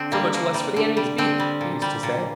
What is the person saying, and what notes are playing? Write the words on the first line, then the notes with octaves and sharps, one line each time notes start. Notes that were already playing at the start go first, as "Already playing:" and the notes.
So much less for the enemy's beak, he used to say.
Already playing: D3 C4
G3 A#3
D3 A#3
G3
D3
G3
D3 C4
G3
A#2
G3
A#2